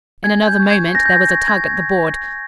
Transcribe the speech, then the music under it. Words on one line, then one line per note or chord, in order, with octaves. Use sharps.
In another moment there was a tug at the board.
G#5 G#6
G6
C#6 G6
G#6
G#5 G6 A#6
G6
G#6
C#6 G6 G#6
G#6